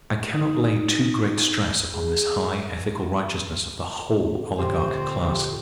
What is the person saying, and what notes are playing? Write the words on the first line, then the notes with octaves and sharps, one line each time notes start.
I cannot lay too great stress upon this high ethical righteousness of the whole oligarch class.
D#4
G#4
A#2 D3 C4 G4 C5